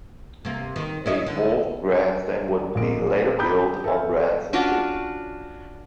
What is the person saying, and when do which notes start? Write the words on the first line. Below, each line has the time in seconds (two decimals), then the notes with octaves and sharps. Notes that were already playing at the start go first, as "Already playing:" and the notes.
A fourth grandstand would be later built on Brandsen street.
0.45 C3 A#3
0.76 D#3
1.06 E4 C#5 D#5
1.26 D3
2.60 G3 D5
2.75 A#1 G#3 A#4 D7
3.38 G5 A#5 B5 D6 D#6 G6
3.84 A4 B4 E5 F5 G#5
4.53 C#4 D4 F4 F#4